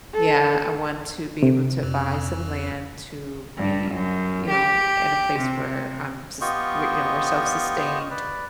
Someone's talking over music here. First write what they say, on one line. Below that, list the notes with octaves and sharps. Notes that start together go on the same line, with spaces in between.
yeah, I want to be able to buy some land to be, you know, in a place where I'm sus we you know, we're self-sustained,
A4
C3
F2
G2
F#2
G4
C3
B3 F4 G4 D#5 C#6
B4 D5